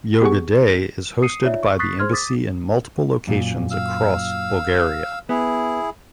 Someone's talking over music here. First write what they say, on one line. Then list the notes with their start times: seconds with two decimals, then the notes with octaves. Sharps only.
Yoga Day is hosted by the embassy in multiple locations across Bulgaria.
0.22 B3 G4 G#4 F#5 C#6
1.22 D#6 C7 C#7 D#7
1.43 D#4 F4 C#5 D5 E5
1.63 C#6
1.79 C#6 D#6 F#6 A6 B6 C7
1.99 G#4 C5 C6 F6 G#6
2.13 D6 D#6 A6 B6
3.27 F#2 A#2
3.71 F5 E6
5.29 B3 E4 G#4